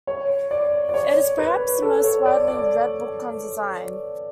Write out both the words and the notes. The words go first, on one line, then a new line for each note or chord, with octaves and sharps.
It is perhaps the most widely read book on design.
C#5
D5
D5
C#5
B4
A4
C#5
D5
D5